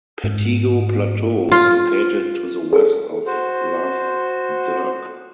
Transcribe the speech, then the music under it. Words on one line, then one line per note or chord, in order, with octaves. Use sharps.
Pettigo Plateau is located to the west of Lough Derg.
G#2
F4
G#4 A4
F#4 C5